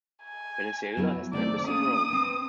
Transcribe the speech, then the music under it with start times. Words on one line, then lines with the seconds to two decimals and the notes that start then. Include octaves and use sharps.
Venezuela has an embassy in Rome.
0.24 G#5
0.97 F#3 B3 E4
1.33 D#3 A3 C4 D5
1.67 A#3 C#4 D4 D#6
2.10 C4 B4